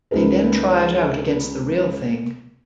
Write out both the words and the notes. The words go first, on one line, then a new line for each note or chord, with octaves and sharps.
They then try it out against the real thing.
C#2 D#4 A#4 B4